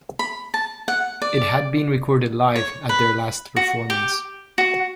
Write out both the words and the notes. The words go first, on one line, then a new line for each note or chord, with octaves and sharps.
It had been recorded live at their last performance.
B5
A5
F#5
D5
C#5
B4
F#4
G4
F#4